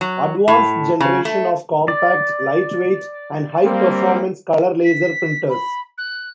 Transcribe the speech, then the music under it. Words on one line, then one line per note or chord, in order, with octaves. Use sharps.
Advanced generation of compact, lightweight and high-performance color laser printers.
F#3
A2
C#3
A3
D5
G3 A#3 C4
B6
B5
F#6